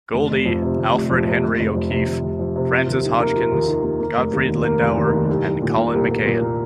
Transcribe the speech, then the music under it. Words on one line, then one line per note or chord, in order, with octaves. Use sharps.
Goldie, Alfred Henry O'Keeffe, Frances Hodgkins, Gottfried Lindauer and Colin McCahon.
F1
F1
F2
C3
F1
F1
F2
C3
F1
F1
F2
C3
F1
F1
F2
C3
F4
D#2
D#3
A#3
F4
D#2
D#3
A#3
A#3
F1
D#2
D#3
A#3
F1
D#2
D#3
C2
C2
A#2
A#3
C2
C2
A#2
A#3